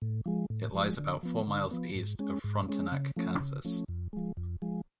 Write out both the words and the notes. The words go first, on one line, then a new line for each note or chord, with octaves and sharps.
It lies about four miles east of Frontenac, Kansas.
A2
F3 G#3
A2
F3 G#3
D3
F3 B3
D3
F3 B3
G#2
G#3 C#4
G#2
G#3 C#4
C#3
F3 A3 C#4
C#3
F3 A3 C#4
F2
F3 G#3
F2
F3 G#3